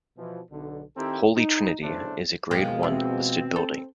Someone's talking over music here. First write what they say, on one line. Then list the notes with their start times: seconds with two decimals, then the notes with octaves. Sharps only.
Holy Trinity is a Grade One listed building.
0.18 B2 E3 F3
0.51 B1 D3
0.96 D#3 C4 E4 G4 A4 A#4
1.35 D#4
1.81 B1 C#3 A3 D4 E4 C5
2.51 B2 F3 G#3 A#3 C4
2.83 C4 E4 F4
3.56 A4 C5